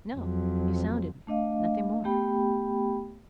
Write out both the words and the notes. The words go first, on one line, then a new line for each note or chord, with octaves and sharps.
No, you sounded me, nothing more.
F2 F#3
A3 D4 D#5 F5
A3 B3 G4 G5 B5